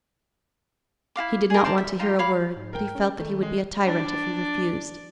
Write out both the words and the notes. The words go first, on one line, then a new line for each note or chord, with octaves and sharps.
He did not want to hear a word, but he felt that he would be a tyrant if he refused.
E4 F#4 F5 D6
G#4 A#4
C5 D5 A5 A#5
E5
D#4 F4 G4 A#5
C#5 F5 B5 D6
G#2
A#4 G5
C#4
D#3 A3
G#3
D4 D5